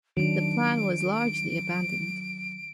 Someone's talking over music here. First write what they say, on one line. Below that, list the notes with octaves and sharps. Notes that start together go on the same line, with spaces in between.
The plan was largely abandoned.
D#3 F#3 D4 D7